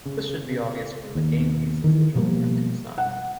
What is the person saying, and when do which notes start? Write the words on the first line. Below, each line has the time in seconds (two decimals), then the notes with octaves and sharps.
This should be obvious from the game pieces, which only have two sides.
0.06 C#3
1.15 D#2
1.84 D#3 E3
2.15 B2 F3 G3 A#3
2.98 F#5